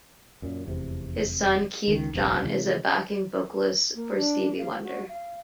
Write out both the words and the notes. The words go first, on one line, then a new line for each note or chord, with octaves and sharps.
His son Keith John is a backing vocalist for Stevie Wonder.
F#2 A#2
F1 E2 C3
C#2 D#3
F1 A#1 C3
C3 E3 G#3
A#3
D4
F5
F#4
F5